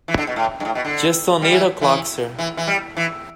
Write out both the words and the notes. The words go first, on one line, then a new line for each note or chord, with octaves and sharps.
Just on eight o'clock, sir.
E3
D3
B2
A2
G2
A2
B2
D3
G3
E3
E3
E3
E3
G3
E3